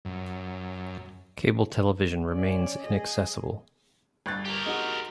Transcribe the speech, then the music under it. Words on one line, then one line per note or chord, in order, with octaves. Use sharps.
Cable television remains inaccessible.
F#2
C#4 D5
G#4 D#5
G1 F#6 A6
G4 A#4
G#3 D#4 F#4